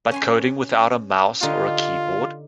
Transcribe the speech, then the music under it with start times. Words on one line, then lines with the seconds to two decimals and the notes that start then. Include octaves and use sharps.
But coding without a mouse or a keyboard?
0.11 C#4 G#5 C6
1.42 D3 D#4 F4 G4